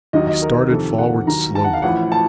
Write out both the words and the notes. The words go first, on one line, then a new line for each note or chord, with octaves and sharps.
He started forward slowly.
D#2 D#3 F#3 D#5
D#5
A#4
F2 C3 D#3 A4
F#5
D#2 D#3 F#3 A#5
A5
F#5
F5
A1 A2 F3 F#5
A5